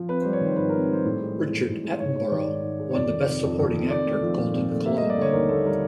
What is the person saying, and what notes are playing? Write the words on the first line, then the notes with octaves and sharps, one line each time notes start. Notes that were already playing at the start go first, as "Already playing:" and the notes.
Richard Attenborough won the best supporting actor Golden Globe.
Already playing: F3
C4 B4
C5
G3
C#5
D#3 C5
G#2 B4
A#4
C4
G3 C5
A2
G#3
E3
A2
A2
G#3
G#2 C#5
G#3 C#5
D#3 D5
G#2
G#2
G#3
C#5
F2 D5
D#3
C3
F2
F2
D#3
C4 D5
A3
F3
A#2
C4
A3
A#3 E5
D#5
G3
D5
D3 C#5
D#2 A#4
A#3 A4
G3 A#4